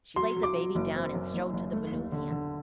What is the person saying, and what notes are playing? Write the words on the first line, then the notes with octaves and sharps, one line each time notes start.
She laid the baby down, and strode to the Venusian.
F#3 C6
F#3
D6
F#3
F#1
C4
F#2
F#1
F#1
A3
D#2
D3
D3